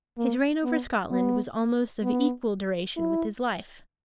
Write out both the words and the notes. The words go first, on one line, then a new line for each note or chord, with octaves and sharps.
His reign over Scotland was almost of equal duration with his life.
A#3
B3
B3
B3
E4